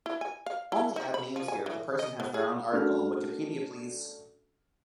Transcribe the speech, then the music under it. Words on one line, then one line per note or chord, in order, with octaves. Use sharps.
Only add names here if the person has their own article on Wikipedia, please.
E4
G#5
F5
E4
D#4
B5
F3
G#5
E3
D#5
B3
G#4
A3 C#4 D4 F#4 F6